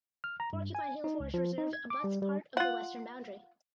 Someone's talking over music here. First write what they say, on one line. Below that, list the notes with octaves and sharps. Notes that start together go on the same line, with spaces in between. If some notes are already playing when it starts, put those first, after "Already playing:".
Porcupine Hill Forest Reserve abuts part of the western boundary.
F6
A#5
G2
G#5
D#4
C#2
F3
D#4
G#6
D6
G3
G3
F4 F#5